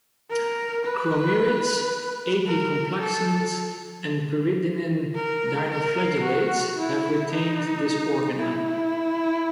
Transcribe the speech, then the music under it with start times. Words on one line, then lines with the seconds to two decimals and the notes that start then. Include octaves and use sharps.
Chromerids, apicomplexans, and peridinin dinoflagellates have retained this organelle.
0.30 A#4
0.85 B4
2.47 A#4
3.00 A4
5.16 A#4
5.70 A#4
6.24 F#4
6.78 E4
7.31 D#4
8.39 E4